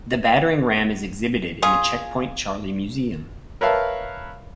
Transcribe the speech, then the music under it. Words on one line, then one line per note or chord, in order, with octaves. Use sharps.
The battering ram is exhibited in the Checkpoint Charlie Museum.
C#4 F4 G#4
A#4 B4 C#5 E5 F5 A5